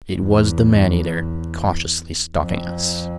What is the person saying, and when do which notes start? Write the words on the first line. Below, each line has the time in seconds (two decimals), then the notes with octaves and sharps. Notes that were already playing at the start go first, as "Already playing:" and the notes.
It was the man-eater, cautiously stalking us.
0.16 E2
2.39 F2